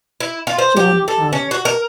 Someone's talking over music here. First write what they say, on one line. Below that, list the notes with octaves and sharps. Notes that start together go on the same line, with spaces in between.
John Hand.
E4
F4
C5
G4
A4
C#4
F#4
A#4